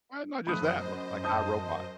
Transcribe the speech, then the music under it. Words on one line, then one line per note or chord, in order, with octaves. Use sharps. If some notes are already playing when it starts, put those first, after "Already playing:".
Why not just that? Li like, I, Robot.
F3 A3 B5 D#6 F#6
F#2 C5 D#5
A5 D#6 G6